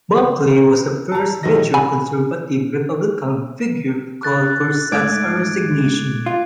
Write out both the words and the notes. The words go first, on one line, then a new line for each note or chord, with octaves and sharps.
Buckley was the first major conservative Republican figure to call for such a resignation.
C#3 C5
A5 A#5
B1 A2 D#3 F#3 D#4 A#6
G#5 B5
F#6 A6
G#2 A3 D6 G#6 D7
F4